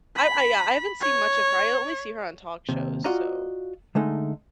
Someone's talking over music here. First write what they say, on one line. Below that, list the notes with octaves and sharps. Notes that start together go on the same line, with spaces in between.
I I yeah, I haven't seen much of her, I only see her on talk shows, so,
B5
C#5
D#2 C3
F4 F#4 D5 D#5 F5 A#5
D3 G#3 A3 D#4